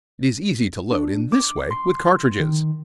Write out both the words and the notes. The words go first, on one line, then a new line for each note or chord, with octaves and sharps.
It is easy to load in this way with cartridges.
D4
D6
C6
D#3